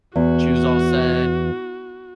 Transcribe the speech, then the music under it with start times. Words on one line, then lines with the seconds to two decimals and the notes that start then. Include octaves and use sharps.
she was all sad,
0.16 E2 F#4